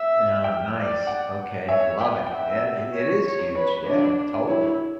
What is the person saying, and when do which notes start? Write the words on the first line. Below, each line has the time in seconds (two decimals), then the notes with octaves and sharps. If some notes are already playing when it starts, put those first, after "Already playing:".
Yeah, nice, okay, I love it. Yeah, it it is huge, yeah, totally.
Already playing: E5
0.44 G5
0.76 D5
1.07 F#5
1.69 C#5 E5
2.00 B4 G5
2.27 G5
2.31 E5 F#5
2.93 C#5
3.25 C#5
3.55 B4 C#5
3.86 D4 C#5
4.49 E4 C#5